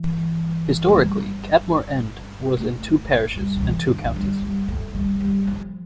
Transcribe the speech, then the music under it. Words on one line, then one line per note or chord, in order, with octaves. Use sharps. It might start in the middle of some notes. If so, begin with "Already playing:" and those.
Historically Cadmore End was in two parishes and two counties.
Already playing: E3
A3
G3
A3
A3
G3
D3
E3
D3
F3
G3
G3
A3
G3
G3
F3